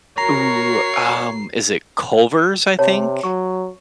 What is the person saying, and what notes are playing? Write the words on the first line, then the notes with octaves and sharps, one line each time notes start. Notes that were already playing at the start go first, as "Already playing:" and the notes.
Ooh, um, is it Culver's, I think?
F#4 A#4 C#5 A#5 C7
C3 C#5 A5 A#5
F#3 C#6